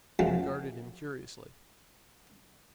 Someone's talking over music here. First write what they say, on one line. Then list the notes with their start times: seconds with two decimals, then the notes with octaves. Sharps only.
She regarded him curiously.
0.19 F#2 F3 F#3 G#3 A3